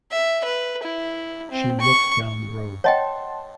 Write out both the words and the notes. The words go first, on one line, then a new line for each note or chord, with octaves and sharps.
She looked down the road.
E5
B4
E4
C4
C#6
C#5 D#5 F#5 G5 A5 C6